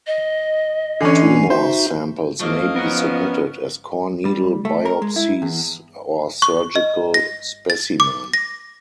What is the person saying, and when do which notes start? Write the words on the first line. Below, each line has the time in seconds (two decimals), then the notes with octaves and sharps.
Tumor samples may be submitted as core needle biopsies or surgical specimen.
0.07 D#5
1.01 D3 E3 C#4 G#5 C7
1.50 D#4 F#4 C5 E5
2.41 F3 A3 A#3 D#5 F5
2.76 B3 C#4 A#4
4.25 G3
4.65 A3
4.85 A#4
5.02 G#3
5.16 E4
5.42 E2
6.42 C#6
6.76 D#5
7.14 A#6
7.70 A6
8.00 D6
8.33 A#6